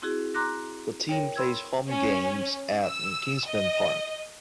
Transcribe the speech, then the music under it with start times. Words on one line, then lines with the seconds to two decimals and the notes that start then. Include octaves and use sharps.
The team plays home games at Kinsmen Park.
0.02 C4 E4 F#4 G#4
0.34 A#5 C6 D6 F#6 A#6
1.09 A#4 C#5 G5
1.36 B5 C6 E6 G#6
1.89 C#4
2.86 E6
3.47 D#5